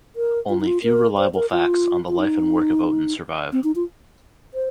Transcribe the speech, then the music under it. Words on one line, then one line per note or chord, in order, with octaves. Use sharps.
Only few reliable facts on the life and work of Oton survive.
A#4
F4
D#4
F4
A#4
C5
A#4
F4
F4
D#4
C4
D#4
F4
C5